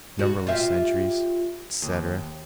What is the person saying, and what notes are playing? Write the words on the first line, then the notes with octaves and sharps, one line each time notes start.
"Numberless centuries," etc.
G3 F#4
F4 G4 E5
D#2